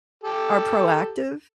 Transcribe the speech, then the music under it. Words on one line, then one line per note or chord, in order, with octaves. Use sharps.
are proactive
G4 A4